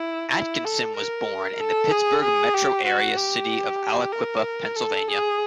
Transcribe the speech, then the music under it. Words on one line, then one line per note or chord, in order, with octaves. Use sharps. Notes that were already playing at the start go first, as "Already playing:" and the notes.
Atkinson was born in the Pittsburgh Metro Area city of Aliquippa, Pennsylvania.
Already playing: E4
E4
A4
A#4
A4
G#4
G#4
G4
F#4
G4
A#4
A4
G#4